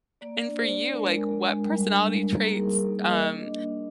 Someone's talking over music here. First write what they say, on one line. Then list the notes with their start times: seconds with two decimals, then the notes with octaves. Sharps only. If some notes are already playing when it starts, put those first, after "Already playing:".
And for you, like what personality traits, um,
0.21 A#3 D5
0.46 D4
0.57 C5
0.69 D4
0.93 G#3 A#4
1.17 G#3
1.42 G#3
1.65 G3
1.89 D4
2.13 G3
2.36 A#3 A#4
2.44 G#4
2.52 A#4
2.61 D#4
2.85 A#3
3.08 A#3 D#5
3.33 D4